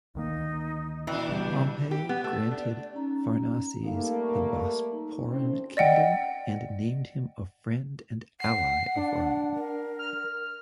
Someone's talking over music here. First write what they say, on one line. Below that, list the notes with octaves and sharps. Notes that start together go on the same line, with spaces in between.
Pompey granted Pharnaces the Bosporan Kingdom, and named him friend and ally of Rome.
D2 D#3 A#3 D#4
A#2 E3 D4
C#3 G3 B3 G4
G4
B3
A3
D4
C#4 D#4 A#5
G3 A3 A#3 D#4 F5
C#6
D#4
D2 A2 C4 C#4
D5 D#5 F#5 G5
F#5 C7
D4
A#4
F6